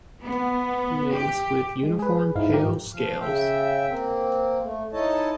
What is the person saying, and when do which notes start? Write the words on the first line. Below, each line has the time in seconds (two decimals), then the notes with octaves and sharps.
Legs with uniform pale scales.
0.22 B3
1.11 G4
1.83 G#3
1.99 G#4 B4
2.36 G#2 D#4 E4 F5
2.53 F3 G4 A#4
2.93 F3 F5
3.21 C#3 E5 G5
3.88 A#3 C4
4.61 A3
4.93 D#4 E4 A4 C#5 D#5 A5